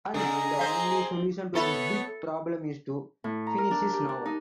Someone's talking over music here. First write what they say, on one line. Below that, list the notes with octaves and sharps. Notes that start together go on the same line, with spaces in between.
And the only solution to this big problem is to finish his novel.
C#3 G#4 A4 D#5 A#5
C4 C5 F5 D#6
B3 F4 A4 C#5 E5 B5
A2
A#5
A#4
D4
G4
D4
D#4